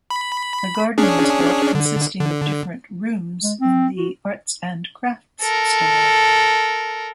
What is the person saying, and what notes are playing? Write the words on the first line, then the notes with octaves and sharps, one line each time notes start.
A garden was built consisting of different "rooms" in the Arts and Crafts style.
B5
C#4 D4 G#4
D3
D3
G#3
C4
F#4
A4 A#4